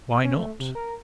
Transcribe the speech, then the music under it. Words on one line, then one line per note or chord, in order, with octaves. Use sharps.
"Why not?"
C#4
A3
C3
A#4